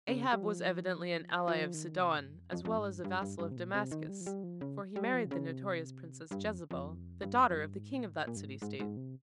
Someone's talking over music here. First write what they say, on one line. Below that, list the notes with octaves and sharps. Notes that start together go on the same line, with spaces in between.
Ahab was evidently an ally of Sidon as well as a vassal of Damascus, for he married the notorious princess Jezebel, the daughter of the king of that city State.
C#3
G3
F3
F3
D#3
C3
G2
F2
F2
F2
G#2
G2
G2
G2
G2
C3
A#2
C3
D#3
G3
F3
G3
F3
C#3
G3
F3
C3
C#3
C3
G2
F2
F2
G2
F2
F2
G2
G#2
A#2
G#2
A#2
G2
G#2
G#2
G#2
C3